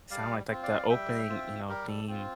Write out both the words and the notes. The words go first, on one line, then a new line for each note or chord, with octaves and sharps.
sound like? Like, the opening, you know, theme
G3 D5 F5
C4 F4
D5 F5
G3 E5 G5
C4 F4
G3 G4 A#4
A4
C4 F4